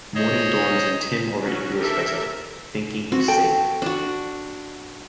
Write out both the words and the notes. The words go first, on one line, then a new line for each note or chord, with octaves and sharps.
Morning dawns and Tim already feels better, thinking he's safe.
G#4 C5 C#5 D#5
F#3 C#4 F#4
G4 A4 A#4 C5 E5
C4 F#4
A4 G5
D4 F#4